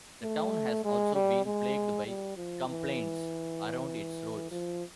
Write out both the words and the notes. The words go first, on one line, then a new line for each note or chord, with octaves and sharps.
The town has also been plagued by complaints around its roads.
A3
G#3
G3
G#3
G3
F3
E3
F3